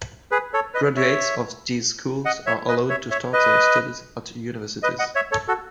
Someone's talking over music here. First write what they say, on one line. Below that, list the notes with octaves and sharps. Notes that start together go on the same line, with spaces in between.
Graduates of these schools are allowed to start their studies at universities.
G#4 B4
A4 C#5
B4 D#5
C#5 E5
D#5 F#5
C#5 E5
B4 D#5
C#5 E5
C#5 E5
B4 D#5
B4 D#5
D#5 F#5
C#5 E5
A4 C#5
F#4 A4